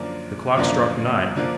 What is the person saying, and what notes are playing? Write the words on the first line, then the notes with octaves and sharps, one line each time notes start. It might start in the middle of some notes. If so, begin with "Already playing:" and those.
The clock struck nine.
Already playing: F#2 D3 F3 A#3 D4
F#2 D3 F3 A#3 D4
D3 F3 A#3 D4